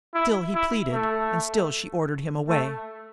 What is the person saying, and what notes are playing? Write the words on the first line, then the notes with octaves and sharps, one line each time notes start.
Still he pleaded, and still she ordered him away.
E4
E4
A3
A3